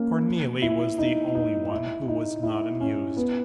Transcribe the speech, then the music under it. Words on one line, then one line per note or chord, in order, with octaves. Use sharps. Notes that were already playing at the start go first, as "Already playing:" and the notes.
Cornelie was the only one who was not amused.
Already playing: A#3 C#4
E4
D#4
D#4
E4
D#4
E4
C#4
B3